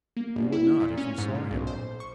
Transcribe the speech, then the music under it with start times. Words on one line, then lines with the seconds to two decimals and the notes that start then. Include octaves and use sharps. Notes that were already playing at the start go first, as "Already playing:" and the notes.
You would not if you saw him.
0.17 A#3
0.36 G1
0.53 E4
0.80 A#2
0.97 C#4
1.18 G#2
1.35 A#2
1.51 B1
1.67 C5
2.00 C#6